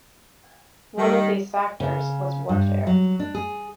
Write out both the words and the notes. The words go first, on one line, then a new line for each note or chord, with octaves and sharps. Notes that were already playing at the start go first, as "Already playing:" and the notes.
One of these factors was warfare.
D#3 G3
C#3
G2
F#3
D4
G#4